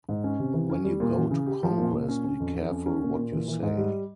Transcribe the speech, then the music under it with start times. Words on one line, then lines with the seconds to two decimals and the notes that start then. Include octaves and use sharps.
When you go to Congress, be careful what you say.
0.09 G#2
0.24 C#4
0.39 C3
0.54 E3
0.70 C#4
0.85 G3
1.00 A#2
1.17 E3
1.31 C#3
1.46 G4
1.63 F3
1.78 A#2
1.93 A#2
2.09 C#4
2.24 C#4
2.40 F2
2.54 F2
2.70 C#4
2.86 C#4
3.02 A#2
3.16 A#2
3.32 E3
3.48 E3
3.63 G#2
3.78 G3